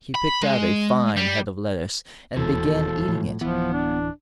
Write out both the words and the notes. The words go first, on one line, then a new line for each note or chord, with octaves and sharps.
He picked out a fine head of lettuce, and began eating it.
B5
G#3
G3
D#1 E2 E3 E4 F#4 A4
A2 F3
D1 E3 F3 B3
D4